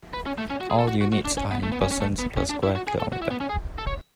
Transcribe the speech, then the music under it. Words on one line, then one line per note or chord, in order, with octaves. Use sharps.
All units are in persons per square kilometer.
B4
C#4
A3
C#4
F#4
G#4
A4
F#4
F#4
F#4
D4
C#4
B3
A3
B3
C#4
C#4
A3
B3
C#4
D4
E4
F#4
G#4
A4
F#4
E4
B3
C#4
G#4
A4
C#5